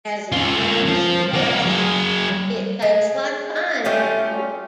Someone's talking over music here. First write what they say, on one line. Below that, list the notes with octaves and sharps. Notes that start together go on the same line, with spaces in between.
As its name suggests, it tastes like pineapple.
C#4 F4
F3
A#3 B3
F#3 G#4
G#3
A3 C#4 F4 G4